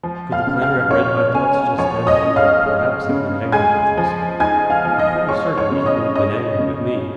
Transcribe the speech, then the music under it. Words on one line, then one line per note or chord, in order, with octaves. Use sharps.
Could the planter have read my thoughts just then he would perhaps have been angry with himself, and pretty certainly he would have been angry with me.
F3
F5 F6
C#3
F5 F6
C#4 C#5 C#6
C#3 G#5
F3 C#5 C#6
D#5 D#6
C#4
F5 F6
G#3
C#3
G#3 G#5 G#6
F3
D#4 G#5 G#6
F5 F6
F3
D#5 D#6
G#3 C#5 C#6
C#5 C#6
C#3
D#5 D#6
C#4 D#5 D#6
C#3